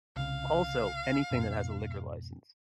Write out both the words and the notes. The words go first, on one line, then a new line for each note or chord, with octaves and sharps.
Also, anything that has a liquor license.
C2 C#3 F5
F2 G#2 B2